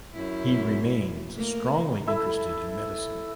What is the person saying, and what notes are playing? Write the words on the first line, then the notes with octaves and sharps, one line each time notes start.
He remains strongly interested in medicine.
F#2 E4
A3 A#3
E4 A4 E5 B5